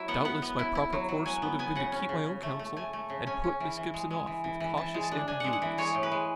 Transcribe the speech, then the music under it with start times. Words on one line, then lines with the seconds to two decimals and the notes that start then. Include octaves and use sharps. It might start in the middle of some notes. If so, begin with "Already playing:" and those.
Doubtless my proper course would have been to keep my own counsel and put Miss Gibson off with cautious ambiguities.
Already playing: F#3 E4 E5
0.08 B3 F#5
0.25 B3 F#5
0.42 B3
0.59 E4
0.75 E4
0.93 F#3
1.09 F#3
1.26 F#3 G#5
1.42 B3
1.59 B3 G#5
1.75 C#3 F#5
1.92 C#4
2.09 C#3
2.26 C#3
2.43 A3
2.59 A3
2.76 A3 G#5
2.93 A3
3.10 C#3
3.27 C#4 G#5
3.44 C#4
3.60 E3
3.77 E3
3.94 G#3
4.10 G#3
4.27 E3
4.44 E3
4.60 E3
4.77 E3 A5
4.94 G#3
5.03 A5
5.11 D4
5.28 D4 G#5
5.40 G#3 F#5
5.53 F#5
5.62 E3
5.78 G#3 C#5
5.95 A2
6.03 B4
6.12 G#3